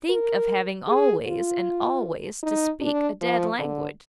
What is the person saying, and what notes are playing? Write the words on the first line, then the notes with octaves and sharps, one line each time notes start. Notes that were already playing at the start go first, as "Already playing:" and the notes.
Think of having always--and always--to speak a dead language!
A#4
G#4
F4
D#4
D4
F3
D3